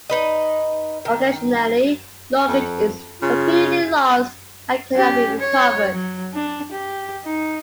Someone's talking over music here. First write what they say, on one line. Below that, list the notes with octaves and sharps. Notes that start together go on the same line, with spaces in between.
Occasionally luggage is completely lost and cannot be recovered.
D#4 B4 D#5
D#3
F2
C#3 F4
C#4 G4
C#5
F#3
D4
G4
D#4